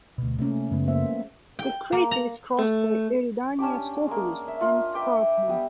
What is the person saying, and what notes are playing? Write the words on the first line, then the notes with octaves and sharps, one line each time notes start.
The crater is crossed by Eridania Scopulus, an escarpment.
D2 B2
C3 A3 A#3 C#4
F#2 C#3 F3 G#3 B3
A#3 C5 E5
G5
A#3
A#5
A3
C#4 D4 G4 D6
G#3 A#3
E5
F4
B4 E5 G5 D6
G3 B3